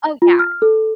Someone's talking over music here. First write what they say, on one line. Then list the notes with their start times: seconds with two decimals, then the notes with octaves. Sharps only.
oh, yeah,
0.22 F4
0.39 F6
0.62 A4